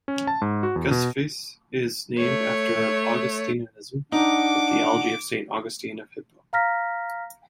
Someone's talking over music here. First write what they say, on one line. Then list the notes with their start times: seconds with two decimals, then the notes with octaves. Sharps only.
Gusphase is named after Augustinianism, the theology of Saint Augustine of Hippo.
0.08 C#4
0.27 A5
0.42 G#2
0.63 F#4
0.76 E2
0.91 B2
2.18 A3 C#5
4.12 D4 D#4 F#5 D6
6.53 F5 A#5 F6 A#6 B6